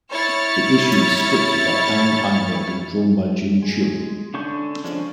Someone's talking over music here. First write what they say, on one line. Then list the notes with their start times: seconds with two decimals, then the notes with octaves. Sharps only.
The issue was scripted by Allan Heinberg and drawn by Jim Cheung.
0.11 E4 C#5 F6 A6 C#7
3.62 G#3
4.34 D3 C#4 D4 C#6 G6
4.84 D3 F3 G#3 C#4 D4